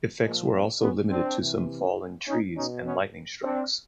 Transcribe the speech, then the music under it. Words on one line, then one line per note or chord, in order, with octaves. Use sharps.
Effects were also limited to some fallen trees and lightning strikes.
A#2 F3 G#3 A#3
A#3 C4
B3 C#4
C4 D4
C3 E3
C#4 D#4
B2 C#4 D#4
B3 C#4
C4 D4